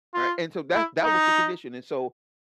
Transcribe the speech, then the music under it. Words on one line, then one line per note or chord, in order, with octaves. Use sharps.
Right? And so that that was the condition. And so
F4
E4
D#4